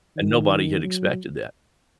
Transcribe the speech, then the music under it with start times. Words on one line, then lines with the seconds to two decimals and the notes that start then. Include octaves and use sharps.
and nobody had expected that.
0.16 D#3
0.83 F#3